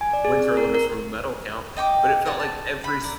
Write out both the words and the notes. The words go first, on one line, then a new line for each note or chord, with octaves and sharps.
winter Olympics from a medal count, but it felt like every s
G#5
D5
G#4
C4
A#4
A#4
D#5 G5 C#6 D6
A#4 C#5 D5 F#5
A5
B5
A#4 D5